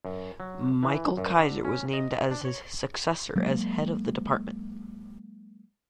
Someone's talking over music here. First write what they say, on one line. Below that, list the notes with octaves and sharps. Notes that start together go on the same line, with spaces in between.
Michael Keiser was named as his successor as head of the department.
F#2
F#3
E3
F#2
D3
C#4
D#5
D4
C#5
F#3 G#3 A#3